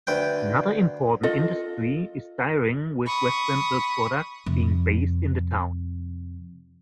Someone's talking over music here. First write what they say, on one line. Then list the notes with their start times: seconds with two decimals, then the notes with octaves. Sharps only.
Another important industry is dairying, with Westland Milk Products being based in the town.
0.07 D2 B4 G5
1.23 F4 A4 D#5
3.06 B5 C#6 D#6
4.46 F2 C3